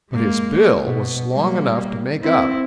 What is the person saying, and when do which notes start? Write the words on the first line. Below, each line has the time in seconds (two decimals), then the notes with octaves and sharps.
But his bill was long enough to make up.
0.10 G#3 A#3
0.84 B2
1.32 G3 A#3
2.23 C4 E4